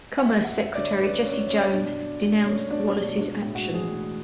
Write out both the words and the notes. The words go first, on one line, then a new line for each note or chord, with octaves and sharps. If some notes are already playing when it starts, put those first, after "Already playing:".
Commerce Secretary Jesse Jones denounced Wallace's action.
F#5
F#3 E5
F#5
F#2
E5
D3 D5
C#5
F#2 B4
F#3 C#4
F#2 C#4
B2 D4
B2
A3
A3 C#4
B2 D4
C#4
B2 D4
G#3 D4
A2
F#4
E3
G#4
A2